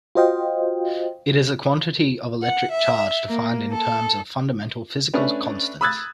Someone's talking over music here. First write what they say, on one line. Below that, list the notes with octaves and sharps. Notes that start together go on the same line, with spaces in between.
It is a quantity of electric charge defined in terms of fundamental physical constants.
F4 F#4 C5 D#5 F5 G5
F#5
E5
A#3
A4
A3 C#4 D4 B4
B5 D#6 E6 F#6 G#6 A6